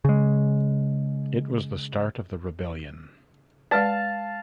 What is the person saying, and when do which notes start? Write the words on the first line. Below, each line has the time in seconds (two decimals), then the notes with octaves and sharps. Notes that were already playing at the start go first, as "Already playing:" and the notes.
It was the start of the rebellion.
0.05 C#3 G#3
3.71 G#3 B4 D5 F5 A5